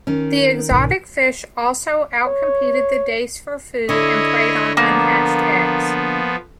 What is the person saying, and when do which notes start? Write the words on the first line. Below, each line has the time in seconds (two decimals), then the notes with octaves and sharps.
The exotic fish also out-competed the dace for food and preyed on unhatched eggs.
0.07 D#3 C#4
0.70 B1 G#2
2.26 C#5
3.89 D3 E4 C#5 D#5
4.77 F3 A#3 B3